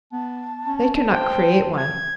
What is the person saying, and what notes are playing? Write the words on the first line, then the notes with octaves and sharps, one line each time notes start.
They cannot create one.
B3 A5
C#4
C5 G5
G#6